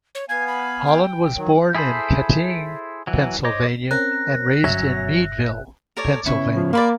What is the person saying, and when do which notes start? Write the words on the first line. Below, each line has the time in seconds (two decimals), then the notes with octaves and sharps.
Holland was born in Kittanning, Pennsylvania and raised in Meadville, Pennsylvania.
0.15 C#5
0.29 B3 F5 G#5 G#6
0.47 B5
0.87 G5
1.35 D#3 F#3
1.75 E4 G#4 A4 C5 B5
3.07 E3 F#3
3.44 C5 C#5 D#5 D6
3.91 C4 C#4 A#4 F#6 A#6
4.64 G1 F#2 F#3 C#4 E5
5.97 A4 A#4 C#5 D5
6.26 C#3 B3 C#4 E4 C#6
6.56 F3
6.73 A#3 D5 B5 C6